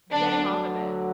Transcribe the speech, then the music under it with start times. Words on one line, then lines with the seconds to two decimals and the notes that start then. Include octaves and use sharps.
Getting off of it.
0.12 D2 D3 F#3 D4